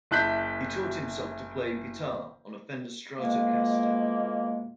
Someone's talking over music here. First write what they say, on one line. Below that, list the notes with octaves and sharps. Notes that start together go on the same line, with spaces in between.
He taught himself to play guitar on a Fender Stratocaster.
F#1 E4 A5 F#6 G6 B6
F2 B2 G#3 A#3